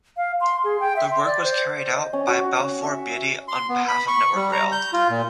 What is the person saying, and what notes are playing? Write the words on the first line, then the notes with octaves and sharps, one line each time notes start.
The work was carried out by Balfour Beatty on behalf of Network Rail.
F5
C6
G#4
G5
E5
C6
D5
C5
D#5
C#4
F#4
C#4
E5
C6
B3
B5
C#6
G3
A#5
G6
F4
A#2